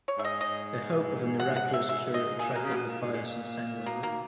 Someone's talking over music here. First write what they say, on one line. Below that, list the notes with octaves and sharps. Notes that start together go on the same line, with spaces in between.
The hope of a miraculous cure attracted the pious and sanguine.
C#5
G#2 E5
D#5
G#2 D#5
F#5
F#5
E5
E5
D#5
A#2 G#4
B2 A#4
C#3
B2 B3
A#2
G#2
G#2
A#2
B2 A#3
D#3 A#3